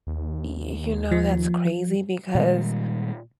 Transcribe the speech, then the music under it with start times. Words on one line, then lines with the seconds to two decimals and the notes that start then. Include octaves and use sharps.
Y you know, that's crazy because
0.07 D#2
1.11 F3
2.35 A#2 D#3 G3 G#3